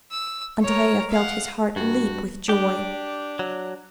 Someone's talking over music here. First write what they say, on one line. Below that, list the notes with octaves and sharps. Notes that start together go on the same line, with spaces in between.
Andrea felt his heart leap with joy.
E6
A#4 C#5
F5 F#5
G2 F#4
D4 G4
F#3